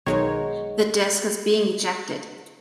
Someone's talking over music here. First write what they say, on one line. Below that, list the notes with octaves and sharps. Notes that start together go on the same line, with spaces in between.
The disk is being ejected.
B1 D#3 F#3 G#3 D#4 C#5